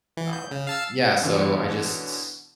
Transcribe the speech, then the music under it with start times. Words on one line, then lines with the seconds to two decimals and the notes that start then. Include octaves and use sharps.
um, yeah, so I just
0.17 E3
0.33 G6
0.51 C#3
0.67 F5 A5 E6
1.21 B2 D3 E3 C#4 D4